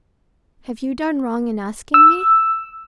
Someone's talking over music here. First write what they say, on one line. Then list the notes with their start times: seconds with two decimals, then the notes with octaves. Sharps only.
Have you done wrong in asking me?
1.94 E6